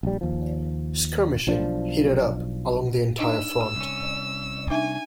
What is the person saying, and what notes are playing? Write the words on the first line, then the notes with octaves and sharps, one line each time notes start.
Skirmishing heated up along the entire front.
A#1 G3
D#2 F3
B1 F3 D4
D4 D#4 D#5 E6
C2 C#4
D4 D#4 E5 G#5